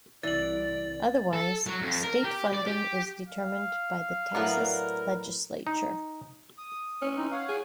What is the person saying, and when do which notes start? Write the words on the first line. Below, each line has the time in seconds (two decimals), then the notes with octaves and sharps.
Otherwise, state funding is determined by the Texas Legislature.
0.23 C2 E3 D5 A6 F#7
1.33 A4
1.66 F#3
1.82 F2
2.03 A#4
2.25 G4
2.54 D5
2.67 G4
3.28 F5
4.35 A2 F#3 B3 D4 F#4 A#4 B4
5.67 D#4
6.58 D#6
7.02 C#4
7.17 E3 C4 D#4
7.32 C#5 F5 F#5
7.49 G#4